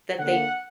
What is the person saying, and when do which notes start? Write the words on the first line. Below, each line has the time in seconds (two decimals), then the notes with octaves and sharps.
that they
0.18 D3 A#3 F#5